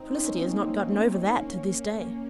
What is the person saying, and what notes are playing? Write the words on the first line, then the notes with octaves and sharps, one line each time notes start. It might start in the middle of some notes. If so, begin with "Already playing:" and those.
Felicity has not gotten over that to this day.
Already playing: C4 D#4
A#3 C#4
A#3 C#4